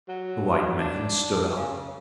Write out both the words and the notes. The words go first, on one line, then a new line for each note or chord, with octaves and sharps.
The white man stood up.
F#3
D4
C#3